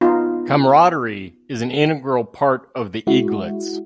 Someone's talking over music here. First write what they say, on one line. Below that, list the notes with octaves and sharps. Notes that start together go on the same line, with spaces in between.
Camaraderie is an integral part of the eaglets.
B3 D#4 F4
G#3 E4 F#4